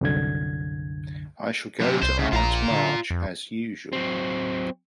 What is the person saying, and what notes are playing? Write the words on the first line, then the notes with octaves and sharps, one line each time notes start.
I shall go to Aunt March, as usual.
C2 F#2 D3 G#6
F#2 C3
C2 C5
C#3
A#1 F4 A#5
D3
F2
F#3 C4